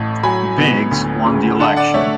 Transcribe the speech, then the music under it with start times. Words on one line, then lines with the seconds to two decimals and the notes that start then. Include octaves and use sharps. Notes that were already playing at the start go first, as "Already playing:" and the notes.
Biggs won the election.
Already playing: A1 A2 A5 C#6
0.23 F#3 G#5 B5
0.58 B3
0.91 D2
1.26 C#3
1.60 D3 F#5 A5
1.77 D5 F#5
1.94 A3 C#5 E5